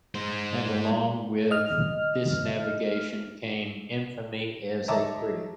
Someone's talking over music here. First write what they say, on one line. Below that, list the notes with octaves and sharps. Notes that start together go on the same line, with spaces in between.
And along with this navigation came infamy as a critic.
G#3 C5
D#5 F6
C#5 D#5 E5 A5 A#5 D6